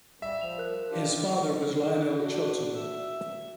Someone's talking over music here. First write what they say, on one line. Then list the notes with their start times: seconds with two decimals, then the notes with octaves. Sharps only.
His father was Lyonel Chilton.
0.22 G3 E5
0.41 F3 F7
0.58 A#4 F#6
0.91 D4 F4 G4
2.20 D4 F#4
2.75 E5